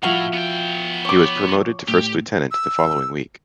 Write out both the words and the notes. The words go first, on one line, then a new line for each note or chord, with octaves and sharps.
He was promoted to first lieutenant the following week.
A2 F3 E4 F#4 F5 F#5
B3 G5
C#5 D6
A2 G4
E6